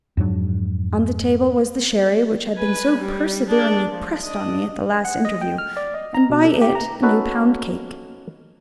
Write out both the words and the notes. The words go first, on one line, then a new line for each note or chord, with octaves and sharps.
On the table was the sherry which had been so perseveringly pressed on me at the last interview, and by it a new pound cake.
F2 G#2 F#3 D4
B4 G#5
G3
D4 G#4
F3
D4 D#5
F#5
D#5
G5
F6
D5
D#5
A#5
B2
A4
G4
A#5
C#4 D#4 F#4 A4 B4